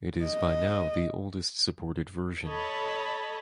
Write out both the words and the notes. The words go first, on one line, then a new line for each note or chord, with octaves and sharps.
It is by now the oldest supported version.
D#5
A4 C#5 D#5 A5 B5